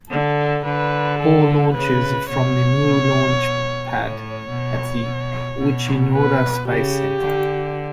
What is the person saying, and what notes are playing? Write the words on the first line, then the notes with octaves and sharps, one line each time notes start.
All launches are from the Mu Launch Pad at the Uchinoura Space Center.
D3 A4
D3 B4
A4
C#3 B4
B2 C#5
B2
A2 C#5
B2
B2
B2
B4
C#3 G4
D3